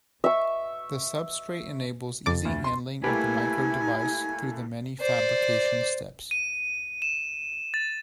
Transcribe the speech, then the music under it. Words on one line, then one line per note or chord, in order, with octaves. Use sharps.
The substrate enables easy handling of the micro device through the many fabrication steps.
E5 C#6
F2 D6 A6 D7
D2
C6
C2 A3 A#3 E4 G4 B4 G#5
C5 D5
D#7
E7
A6